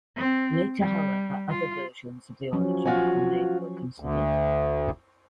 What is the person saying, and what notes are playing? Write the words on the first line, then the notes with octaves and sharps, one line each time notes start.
Later, however, other versions of the origin of the name were considered.
C4
G3
F4
F3 F#3 C#4
F4 F#4 G#5
D2